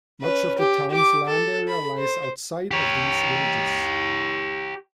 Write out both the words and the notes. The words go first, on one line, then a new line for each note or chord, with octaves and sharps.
Much of the town's land area lies outside of these villages.
C#4 B4
G4
G4 D6
A4
B5
C5
G4 C#5